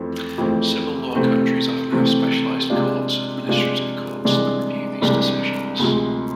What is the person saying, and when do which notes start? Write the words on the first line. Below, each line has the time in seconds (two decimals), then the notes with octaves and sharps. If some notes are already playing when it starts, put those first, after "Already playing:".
Civil law countries often have specialized courts, administrative courts, that review these decisions.
Already playing: F2 E3 A3 C4
0.38 F2 E3 A3 C4
1.15 C3 E3 A3 C4
1.92 C3 E3 A3 C4
2.70 C3 G#3 D4 F4
3.47 C3 G#3 D4 F4
4.24 C2 C3 E3 G#3 D4
5.02 C2 C3 E3 G#3 D4
5.79 D2 C3 F3 G#3